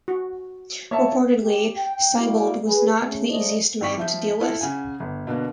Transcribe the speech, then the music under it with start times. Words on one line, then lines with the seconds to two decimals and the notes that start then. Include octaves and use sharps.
Reportedly, Siebold was not the easiest man to deal with.
0.08 F#4
0.91 A#3 C#5 E5 A5
1.42 G4
1.77 G5
2.18 G3 A#3 E4 F#4
2.66 G#4 B4
2.97 C#3 A3 C#4
3.29 C#2 C#3 A3 C5 D5 D#5
3.81 G#1 G3 C#6 B6
3.97 F3 E5 G6
4.40 E4 F4 A4
4.61 C#3 F#5 G#5
5.00 G1
5.27 B2 D3 A#3